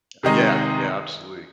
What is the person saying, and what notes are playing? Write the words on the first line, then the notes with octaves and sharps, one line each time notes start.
Yeah. Yeah, absolutely.
C3 D#3 G#3 D#4